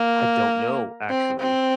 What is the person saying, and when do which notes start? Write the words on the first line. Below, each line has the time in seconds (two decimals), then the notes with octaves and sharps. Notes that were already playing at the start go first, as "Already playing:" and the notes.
I don't know, actually.
Already playing: A#3
1.09 C4
1.40 C4